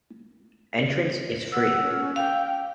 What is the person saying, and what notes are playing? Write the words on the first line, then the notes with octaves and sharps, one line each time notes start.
Entrance is free.
F#5 E6
C#4
F5 G5